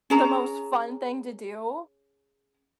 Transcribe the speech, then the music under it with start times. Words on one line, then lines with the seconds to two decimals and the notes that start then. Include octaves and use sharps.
the most fun thing to do,
0.10 C#4 G#4 A#5